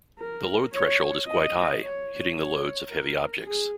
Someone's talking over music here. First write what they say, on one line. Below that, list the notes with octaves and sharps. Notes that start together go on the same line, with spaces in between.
The load threshold is quite high, hitting the loads of heavy objects.
A#4
C#5
D#5
C#5
C#5
A#4
G#4